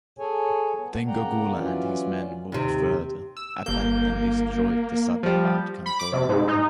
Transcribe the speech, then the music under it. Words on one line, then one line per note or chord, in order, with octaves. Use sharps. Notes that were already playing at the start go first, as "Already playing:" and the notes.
Then Gokula and his men moved further, attacked and destroyed the Sadabad cantonment.
G#4 A4 C#5 G#5
B3
C#3 A#3 D5 F#5 G5 A#5
E3 F#3 C#4 F4 D5
D#2 C3
E6
G1 A#3 G6
F3 G3
B5
D6
C3
G#2
D#4